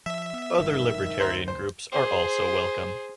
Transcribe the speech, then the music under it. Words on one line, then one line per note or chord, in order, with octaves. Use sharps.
Other libertarian groups are also welcome.
F3 E5
B3
F1 G2 D#3 G#3
D2 C5 A#5
C5
G#4 C5